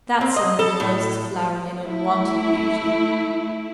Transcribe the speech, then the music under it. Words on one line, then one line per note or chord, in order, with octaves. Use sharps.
That summer the roses flowered in unwonted beauty.
C4
D#5
A4
A2
A3 E4